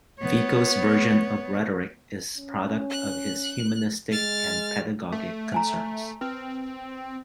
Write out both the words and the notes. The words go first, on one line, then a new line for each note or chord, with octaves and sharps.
Vico's version of rhetoric is product of his humanistic and pedagogic concerns.
B3 C#5
C#4
F#6
G#3 F6 A6
A3
C5 G#5 A#5
C4 B4